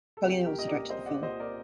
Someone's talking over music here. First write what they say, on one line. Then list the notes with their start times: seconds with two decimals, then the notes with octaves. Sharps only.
Carlino also directed the film.
0.17 A4
0.23 C2 G4
0.46 G4 A#4
0.57 A#2 D#5
0.67 A#4 D5
0.89 C2 C5 D#5
1.06 D5 F#5
1.23 A#2 C5 D#5
1.40 A#4 D5